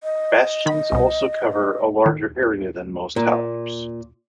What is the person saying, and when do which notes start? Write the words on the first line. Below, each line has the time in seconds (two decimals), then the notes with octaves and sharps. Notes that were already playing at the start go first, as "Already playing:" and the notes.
Bastions also cover a larger area than most towers.
0.04 D#5
0.66 D#3 B5
0.92 C2 B2
2.06 D#3
3.16 A#2